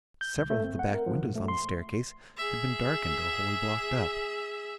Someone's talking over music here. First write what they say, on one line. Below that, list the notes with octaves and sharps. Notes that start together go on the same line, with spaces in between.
Several of the back windows on the staircase had been darkened or wholly blocked up.
G6
C2
A3
C4
F#5
A#4
F3
A#2
A3
C6
G#4 E5